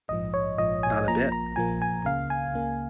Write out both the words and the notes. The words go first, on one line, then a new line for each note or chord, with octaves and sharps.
Not a bit.
A#1 G#2 F3 D#5
C#5
A#1 G#2 F3 D#5
G#5
A#1 A#2 F3 A#3 A#5
A#5
A#1 A#2 F3 A#3 G#5
G#5
C#2 C#3 A#3 F5
G#5
C#2 C#3 A#3